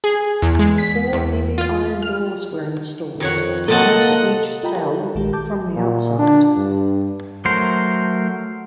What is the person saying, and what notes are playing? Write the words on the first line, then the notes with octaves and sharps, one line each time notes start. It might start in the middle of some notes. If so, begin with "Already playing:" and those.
Four heavy iron doors were installed, one to each cell, from the outside.
G#4
E2
G#3
B6
E2
F4
F6
F2 D#3 C#5 F#5
C3 A#3 C4 A4 D#5 F#5 A5
F4 D#5 G5 A#5 B5
G4 A#4 B4 E5 A5
A4
F#4
A#1 D#3 G#3 G4 A#4
A5 D6 G6
A#2
D4
G2
F#3 A3 A#4 C5